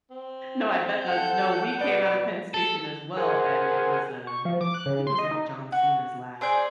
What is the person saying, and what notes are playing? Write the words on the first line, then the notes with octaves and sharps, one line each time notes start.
No, I bet that no, we came out of Penn Station, as well, and it was, um I think it was, like, John Cena's last
C4
A4 F#5 G6
B2 B4 D5
A4
G#4 A#4 C5 F#5 G#5
C#6
F3
D6
F#6
C#3
C6
D#5
D#4
F#4
C4 G#4 D5 G6